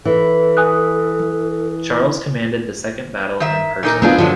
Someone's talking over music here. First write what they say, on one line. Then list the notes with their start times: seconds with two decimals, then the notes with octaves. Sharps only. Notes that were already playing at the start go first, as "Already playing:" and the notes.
Charles commanded the second battle in person.
0.05 E3 A4
0.57 G#5 D#6 F#6
3.40 D#3 E5
3.83 A#2 D#4 A#4
4.02 B3 C4 D4 F4 G#4
4.18 D3 F3 F#3 G#3